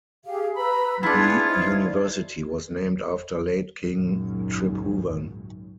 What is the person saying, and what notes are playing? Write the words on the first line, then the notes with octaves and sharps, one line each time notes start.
The university was named after late King Tribhuvan.
G4 G#4 F5
B4 A#5 B5 E6
B3 D4 E4 F4 G#4 G#6
D#4 C5 G#6
G#1 C#2 F#2 A#2 D#3 F#3